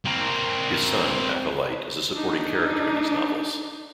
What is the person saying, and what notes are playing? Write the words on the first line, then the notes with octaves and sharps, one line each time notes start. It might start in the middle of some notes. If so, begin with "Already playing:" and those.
His son, Acolyte, is a supporting character in these novels.
C4 A#4
D4 D#4